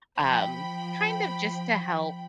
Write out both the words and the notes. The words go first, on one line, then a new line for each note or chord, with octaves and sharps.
Um, kind of just to help
F3 G5 B5